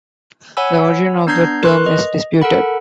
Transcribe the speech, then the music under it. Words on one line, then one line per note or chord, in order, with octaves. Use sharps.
The origin of the term is disputed.
C#5 F#5 G#5 B5 E6
B3 D4 A#5 G6 G#6 C7
A#4 B4 C6 C#6 F#6
D#5
A4 A#4 F#5 B5